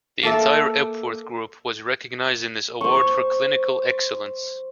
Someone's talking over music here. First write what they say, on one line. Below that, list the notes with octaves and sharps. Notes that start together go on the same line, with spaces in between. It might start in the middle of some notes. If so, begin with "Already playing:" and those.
The entire Epworth group was recognised in this award for clinical excellence.
A#3 A4 E5
C5 C#6